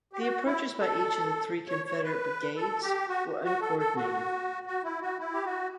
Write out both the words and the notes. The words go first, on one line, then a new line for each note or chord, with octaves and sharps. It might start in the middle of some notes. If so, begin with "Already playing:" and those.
The approaches by each of the three Confederate brigades were uncoordinated.
G4
F#4
E4
A4
C#5
C#5
B4
A4
G4
F#4
F#4
A4
A4
F#4
F#4
E4
F#4
E4
G4
F#4